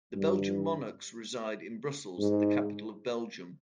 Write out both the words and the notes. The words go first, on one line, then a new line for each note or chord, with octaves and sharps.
The Belgian Monarchs reside in Brussels, the capital of Belgium.
G2
G#2